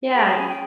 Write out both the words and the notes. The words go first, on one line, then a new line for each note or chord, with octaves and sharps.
Yeah, y
G#4 G5
B5
C#4 G#5
G5